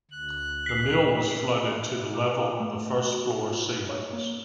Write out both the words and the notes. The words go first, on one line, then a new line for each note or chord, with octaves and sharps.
The mill was flooded to the level of the first floor ceilings.
D2 F#6
B6 C7
E5
D6
A3
F#4
F4
C#5
A#3